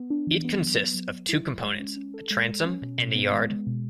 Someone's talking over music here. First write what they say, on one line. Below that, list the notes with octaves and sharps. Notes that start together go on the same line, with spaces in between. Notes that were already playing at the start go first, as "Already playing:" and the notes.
It consists of two components, a transom and a yard.
Already playing: B3
D4
E3
B3
F#3
F#3
F#3
F#3
E4
E4
G#3
C#4
C#4
A4
G#3
G#3
C#4
B2
B2
B3
G#3
G#3
B2